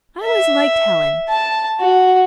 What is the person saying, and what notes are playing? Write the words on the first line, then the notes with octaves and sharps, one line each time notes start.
I always liked Helen.
E5
A5
F#4